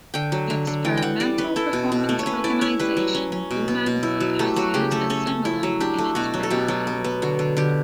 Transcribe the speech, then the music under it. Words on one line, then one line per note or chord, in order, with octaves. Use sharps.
The experimental performance organization Blue Man Group has used a cimbalom in its productions.
D3 G5
F#3
D3
D3
E3 G5
G5
E3 F#5
G3 D5
C#4 B4
E4 A4
B2
B2
A3
C#5
C#4 B4
E4 D5
E4 C#5
G3 B4
F#3
C#4
C#4
B2
B3
B2
E4
F#3
A3 G4
F#3 F#4
C#3 G4
A3 A4
C#4 A4
C#4
E4
F#3
D4 G4
A3
B2 F#4
F#3
A4
B2 G4
F#3
B3
B3
D3 F#4
D3
D3 G4